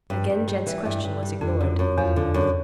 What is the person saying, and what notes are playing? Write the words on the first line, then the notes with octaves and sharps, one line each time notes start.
Again Jed's question was ignored.
G2
G2
G3
E3
G2
G2
G3
F2 D3
F#2
F#2
E2 F3
D3
F#2